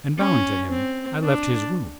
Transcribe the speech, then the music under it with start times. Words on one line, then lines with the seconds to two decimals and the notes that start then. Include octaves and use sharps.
And bowing to him I left his room.
0.18 C#4
0.70 C4
1.22 D4